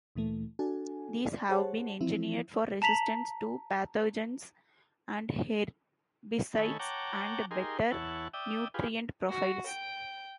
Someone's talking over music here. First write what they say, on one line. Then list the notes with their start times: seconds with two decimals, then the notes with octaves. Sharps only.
These have been engineered for resistance to pathogens and herbicides and better nutrient profiles.
0.15 D2 A#2 E3 A3
0.59 D4 F#4 A4 G#5
1.26 D5
1.49 G4 G#4 C5 C#5 F#5 A5
2.01 E3 F3 C4 E4
2.82 A5 A#5 B6 F7 F#7
6.57 D#3 A3 A4 C#5 G#5 B5
6.79 C#5 F#5 G5 A5 A#5 D6
7.51 D#4 G4 G#4 A#4 C6
7.92 E2 E4 C#5 F#5 A5
8.34 D5 E5 G5 D#6
8.74 F4 G4 G#4 B4
9.30 F#4
9.67 G5